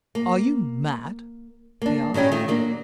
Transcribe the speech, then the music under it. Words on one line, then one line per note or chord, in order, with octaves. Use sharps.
"Are you mad?" he asked.
A#3
A#3 D4
D#3 F#3 G3 C#4 G4
D#3 A3 F4
F#3 A#3 D4